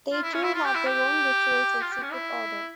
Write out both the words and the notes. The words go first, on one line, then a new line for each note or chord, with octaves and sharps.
They too have their own rituals and secret order.
F4
E4
C#4
E4
F4
G4
E4
G4
F4
G4
C#4
E4